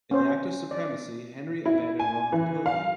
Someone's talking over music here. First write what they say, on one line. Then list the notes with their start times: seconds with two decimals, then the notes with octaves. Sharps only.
In the Act of Supremacy, Henry abandoned Rome completely.
0.11 C#4 C5
0.71 D5
1.66 E4
1.99 G#5
2.32 E3
2.66 F5